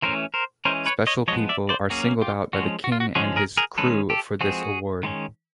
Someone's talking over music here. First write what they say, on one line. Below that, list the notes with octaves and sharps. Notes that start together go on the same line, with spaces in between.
Special people are singled out by the king and his "Krewe" for this award.
E3 A3 C#4 A#4 C5
A#4 C5
E3 G#3 C#4 A#4 C5
B4 C#5
C#5 D#5
F3 G#3 B3 C#5 D#5
D5 E5
C5 D5
F#3 A#3 C#4 F#4 G#4
F4 G4
F3 G#3 C#4 F#4
F#4
F4
F#4
D3 F3 G#3 C#4 F#4 G#4
G#4 A#4
G#4 A#4
D#3 G#3 C#4 A4 B4
G4 A4
F3 G#3 C4 F#4 G#4
D#3 G#3 C#4